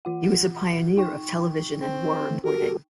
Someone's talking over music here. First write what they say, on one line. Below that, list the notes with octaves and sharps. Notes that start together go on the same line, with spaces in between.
He was a pioneer of television and war reporting.
E3 F4 F#5
D#4 G5 C#6
C4
D3 E3 A3
F#4 G4 A4 A#4